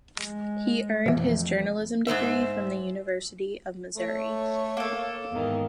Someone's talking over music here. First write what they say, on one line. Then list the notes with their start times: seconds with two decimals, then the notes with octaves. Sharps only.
He earned his journalism degree from the University of Missouri.
0.20 G#3
1.06 F2 B2 E3 A3
2.07 G#2 D#3 C5 E5
3.98 A3 C#5
4.77 A#3 A4
5.31 E2 G#2 D#3